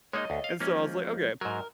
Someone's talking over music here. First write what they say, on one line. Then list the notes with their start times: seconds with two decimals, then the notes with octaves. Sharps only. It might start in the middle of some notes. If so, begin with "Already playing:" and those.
and so I was like, "Okay,
0.13 G#3 A#3 D#4 C#5 D#5
0.30 D2
0.44 F5
0.60 F3 G#3 A#3 C#4
1.41 G#2 F#3 A#4